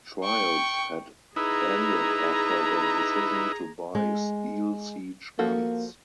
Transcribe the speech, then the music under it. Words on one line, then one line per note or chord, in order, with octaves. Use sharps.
Trials had ended after the decision to buy steel siege guns.
G5 C#6
D#4 E4 G#4 B4 A#5
G#3
F3 A#3 F#4 A4